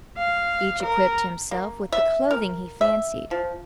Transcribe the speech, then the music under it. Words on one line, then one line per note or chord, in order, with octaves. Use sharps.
Each equipped himself with the clothing he fancied.
F5
A#4
A#3
E5
A#4
E5
F3